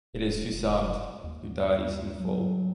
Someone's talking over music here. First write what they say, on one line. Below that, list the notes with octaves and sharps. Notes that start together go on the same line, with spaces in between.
It is Foussard, who dies in the fall.
D1
F1
D#2
F#3